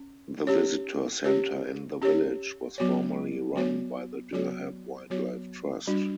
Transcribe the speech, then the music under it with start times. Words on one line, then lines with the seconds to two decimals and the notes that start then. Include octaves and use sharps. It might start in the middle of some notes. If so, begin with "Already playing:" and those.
The visitor centre in the village was formerly run by the Durham Wildlife Trust.
Already playing: C#4
0.47 C#4 G4 C#5
1.24 C#4 G4 C#5
2.02 C#4 G4 C#5
2.78 F#3 B3 F#4 C#5
3.55 F#3 B3 F#4 C#5
4.33 F#3 B3 F#4 C#5
5.10 F#3 B3 F#4 C#5
5.87 G3 D4 F#4